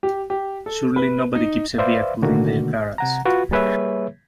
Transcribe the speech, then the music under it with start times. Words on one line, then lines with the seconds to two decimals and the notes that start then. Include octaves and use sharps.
Surely nobody keeps a vehicle in their garage?
0.03 G4
0.30 G4
0.66 A4
0.96 B4
1.35 D#4
1.78 B4 C5 D5 E5 F5
2.22 B2 D3 D#3 A3 A#3 F#4
2.98 C3 F#5 A#5
3.26 F4 F#4 B4
3.51 G3 A#3 G#4 B4 C#5 E5